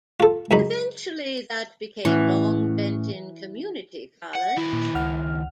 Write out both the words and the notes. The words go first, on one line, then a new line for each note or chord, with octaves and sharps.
Eventually that became Longbenton Community College.
F4 A4
C#2 F#2 D#4 B5
A2 E3 C#4 F#5
F#5
D#2 E4
A#2
C#2 F#5 F6